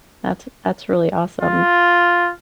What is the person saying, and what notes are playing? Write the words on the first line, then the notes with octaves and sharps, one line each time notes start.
That's that's really awesome.
F4